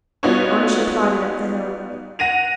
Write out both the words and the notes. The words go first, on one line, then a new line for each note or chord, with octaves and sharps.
On she plodded up the hill.
G3 B3 D#4 F4 F#4 C#5
F#5 A#6 D#7 F7